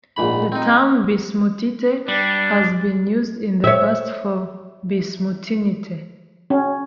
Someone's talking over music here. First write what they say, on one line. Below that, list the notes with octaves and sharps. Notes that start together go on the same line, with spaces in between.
The term bismuthite has been used in the past for bismuthinite.
A#1 G#2 B5
C4 D#4
G3 D4
C#5 E5
C#4